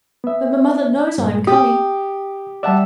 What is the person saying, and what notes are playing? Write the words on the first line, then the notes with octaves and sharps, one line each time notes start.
But my mother knows I am coming?'
B3 E5
G2 A#2
G4 D#6
G3 D5 E5 F#5 A5